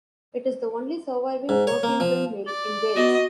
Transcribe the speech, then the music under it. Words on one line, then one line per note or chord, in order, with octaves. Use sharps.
It is the only surviving working windmill in Wales.
G#2
C#5
A#3
F3
D5
B3 F#4 D#5